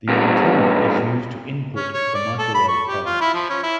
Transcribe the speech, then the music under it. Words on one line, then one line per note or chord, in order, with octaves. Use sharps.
The antenna is used to input the microwave power.
E2 G2
C#4
C#5
D5
A4
B5
C#6
G4
F4
E4
F3
C#4
E4